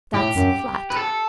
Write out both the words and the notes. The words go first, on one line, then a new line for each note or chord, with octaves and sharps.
That's flat.
A2 G4
F#2
B4
A4